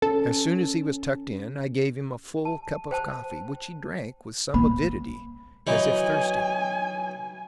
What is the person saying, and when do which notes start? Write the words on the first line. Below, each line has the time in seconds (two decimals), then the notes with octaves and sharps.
As soon as he was tucked in, I gave him a full cup of coffee, which he drank with some avidity as if thirsty.
0.02 C#4 A4
2.45 A5
2.91 C5 G5 A5
4.54 A#3 B5
5.67 E3 F#3 D#4 G#5